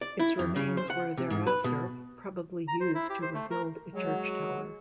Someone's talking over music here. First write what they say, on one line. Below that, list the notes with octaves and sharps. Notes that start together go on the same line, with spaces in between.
Its remains were thereafter probably used to rebuild a church tower.
D5
E4
F2
C#3
C5
F#5
C3
G#2
B4
B2
A#5
C5
E4
G4
C5
A3
A#4
F#3 G#3